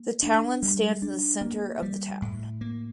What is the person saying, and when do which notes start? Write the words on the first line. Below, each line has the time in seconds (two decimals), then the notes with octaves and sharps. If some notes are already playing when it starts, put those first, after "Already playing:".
The townland stands in the centre of the town.
Already playing: A#3
0.23 D4
0.62 G3
1.02 D4
1.41 A#3
1.82 G3
2.22 A2
2.61 A#3